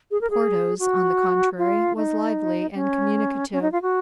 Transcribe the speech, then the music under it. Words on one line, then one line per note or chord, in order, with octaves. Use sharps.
Porthos, on the contrary, was lively and communicative.
G#4
A#4
G#4
F#4
F4
D#4
C#4
C#4
D#4
F4
F#4